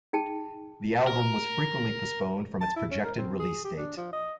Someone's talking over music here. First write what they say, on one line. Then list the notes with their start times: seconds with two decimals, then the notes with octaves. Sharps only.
The album was frequently postponed from its projected release date.
0.13 D#4 G#4 G5 A5
1.07 A#4
2.61 A5
2.76 E4
2.91 C#4
3.04 A#4
3.18 C4
3.40 G#4
3.65 G4
3.77 D4
3.97 F3
4.13 D#5